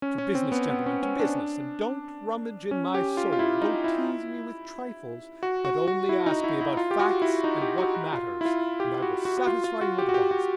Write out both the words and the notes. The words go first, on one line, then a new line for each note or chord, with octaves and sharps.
To business, gentlemen, to business, and don't rummage in my soul; don't tease me with trifles, but only ask me about facts and what matters, and I will satisfy you at once.
C#4
C#4
C4
B3
B3
C#4
C#4
D4
C#4
G4
F4
F4
E4
D#4
E4
F#4
F#4
F#4
E4
D#4
E4
E4
F4
G4
F#4
E4
D#4
G4
F#4
F#4
F4
E4
F4
G4
F#4
F#4
F#4
F4
F4
F#4
G4
F#4
G4
F#4